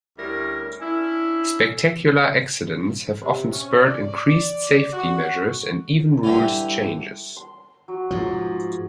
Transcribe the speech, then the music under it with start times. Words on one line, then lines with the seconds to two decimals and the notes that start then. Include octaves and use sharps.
Spectacular accidents have often spurred increased safety measures and even rules changes.
0.19 D2 G3 C#4 E4 A#4
0.80 C#4 D4 E4
3.22 C3
3.53 C#4
3.85 D5
4.93 F#4
6.23 D3 E3 G3
7.36 C6
7.88 F#3
8.11 G#2 F3